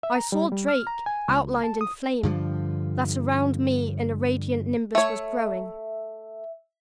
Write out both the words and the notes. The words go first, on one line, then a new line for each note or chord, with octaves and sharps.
I saw Drake outlined in flame; that around me a radiant nimbus was growing.
E5
A#5
G3
G3
F6
A#5
G#5
C#2
A5
D#6
G2 D3 F3
A3 C#5 E5